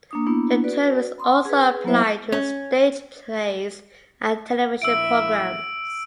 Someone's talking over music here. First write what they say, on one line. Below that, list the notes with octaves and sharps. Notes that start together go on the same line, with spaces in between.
The term is also applied to stage plays and television programs.
A#3 D4 D#6
A#3 B3 D4 E4
F#4 B4 D5
B5 C6 D#6
G#4 B4
F#3 A#3 B3 E4 C5 E5
C#4
A#1 E4 E5 E6 D7